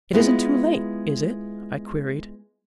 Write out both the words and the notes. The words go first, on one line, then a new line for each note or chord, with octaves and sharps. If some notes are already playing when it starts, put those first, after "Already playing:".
"It isn't too late, is it?" I queried.
G#3 B3 E4 F4